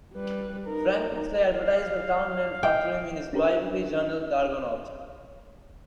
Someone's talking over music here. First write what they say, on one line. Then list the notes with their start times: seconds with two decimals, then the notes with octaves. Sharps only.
Frank Pixley advertised the town named after him in his biweekly journal "The Argonaut".
0.14 G3 B4
0.66 D#4 A#4
1.49 F5
2.63 D#5 G5
3.33 C#4 D4 G4 A#4 B4